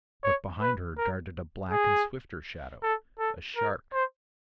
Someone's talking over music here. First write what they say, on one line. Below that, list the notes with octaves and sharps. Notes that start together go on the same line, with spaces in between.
But behind her darted a black and swifter shadow--a shark!
C#5
B4
A#4
G#4
A4
A4
A#4
C5